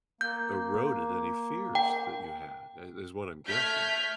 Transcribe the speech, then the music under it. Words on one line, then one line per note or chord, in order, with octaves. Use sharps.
eroded any fears that you had i is what I'm guessing.
A#3 G6
G5
A3 F6 G6 G#6 B6